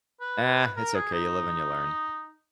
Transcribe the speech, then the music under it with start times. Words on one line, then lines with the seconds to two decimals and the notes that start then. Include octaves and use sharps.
Ah, it's okay, you live and you learn.
0.21 B4
0.76 A#4
0.95 G#4
1.13 D#4